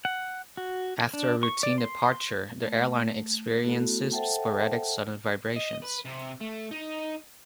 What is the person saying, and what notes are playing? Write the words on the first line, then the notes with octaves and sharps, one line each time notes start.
After a routine departure, the airliner experiences sporadic sudden vibrations.
F#5
F#4
D4
C#6
D5
C6
A3
A3 B3 E4 F#4 A4
A4 C5 E5 F#5 G5 A5
D#5
B4
C3
A3
D#4